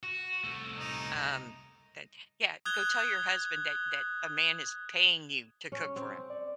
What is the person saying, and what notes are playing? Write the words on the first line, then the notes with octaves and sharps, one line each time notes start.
Um, that Yeah. Go tell your husband that that a man is paying you to cook for him.
F#4
C2 A3
D#4
D#6 F#6 G#6 G7
C#4
C4
D5